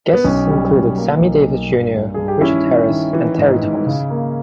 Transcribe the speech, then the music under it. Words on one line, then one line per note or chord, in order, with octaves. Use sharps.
Guests included Sammy Davis Junior Richard Harris and Terry-Thomas.
B3
B1 C#4
G3
B1
A#3
B1
A#3
G2
G2
G2 G#4
G4
D#3 C#4 E4
D#3
D#3
E3
G#2
G#2
C#3
A#3